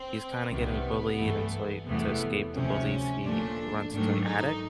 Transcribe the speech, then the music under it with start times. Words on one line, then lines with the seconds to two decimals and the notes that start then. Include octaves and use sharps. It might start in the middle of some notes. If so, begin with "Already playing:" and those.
he's kinda getting bullied, and so he to escape the bullies, he runs into an attic,
Already playing: C4
0.50 C2 C3 D#3 G3 B3
1.18 G2 E3 A3
1.87 E2 C3 E3 A3 B3
2.55 D2 C3 F3 C#4
3.23 A#2 F3 A3 D4
3.91 G#2 D#3 F#3 A3 D4
4.25 D#4